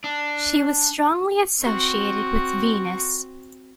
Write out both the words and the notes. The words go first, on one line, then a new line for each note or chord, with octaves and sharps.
She was strongly associated with Venus.
D4
C4 F#4